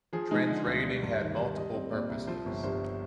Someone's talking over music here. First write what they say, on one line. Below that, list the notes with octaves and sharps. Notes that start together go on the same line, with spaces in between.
Trench raiding had multiple purposes.
F3 G#4
G#3 D#4
D3
D2
G3
G2
D#3
G2
G3 D#5
C4
A#2 D5
C2
F3 C5
G1
G2 C5